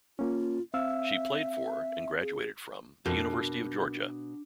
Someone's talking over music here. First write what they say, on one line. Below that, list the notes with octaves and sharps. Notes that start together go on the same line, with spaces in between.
She played for, and graduated from, the University of Georgia.
A#3 C#4 F4
C4 E5 F5 E6
G#4
F2 B2 D4 F#4 A#4